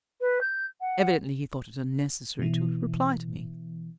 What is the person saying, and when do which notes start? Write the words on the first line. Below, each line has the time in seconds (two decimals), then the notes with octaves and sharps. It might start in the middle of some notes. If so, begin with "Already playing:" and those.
Evidently he thought it unnecessary to reply to me.
0.21 B4
0.41 G6
0.81 F#5
2.39 B2 E3